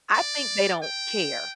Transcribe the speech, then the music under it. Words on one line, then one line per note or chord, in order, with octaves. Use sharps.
I think they don't care.
D5
G5